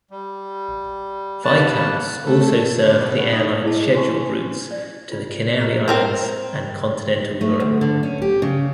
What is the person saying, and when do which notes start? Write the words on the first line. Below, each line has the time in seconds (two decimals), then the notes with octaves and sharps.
Viscounts also served the airline's scheduled routes to the Canary Islands and Continental Europe.
0.11 G3
1.44 G2 A#3 B3 B4 A5
2.27 A3
2.84 D3
3.00 B2
3.33 D#4
3.64 E4 G#4 D#5 A5
3.94 F#4 C5 G#5 A5 C#6
4.71 D5
5.12 F4
5.60 G4 D#5 A#5
5.88 C4 A#4 C5
7.41 A3
7.60 D2
7.81 D3
8.03 C#4
8.22 G4
8.42 C#3